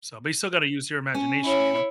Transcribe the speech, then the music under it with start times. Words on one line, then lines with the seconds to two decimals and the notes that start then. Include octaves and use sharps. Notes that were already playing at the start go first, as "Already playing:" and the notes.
So but you still gotta use your imagination, you know?
1.15 C#4
1.45 E4 C#5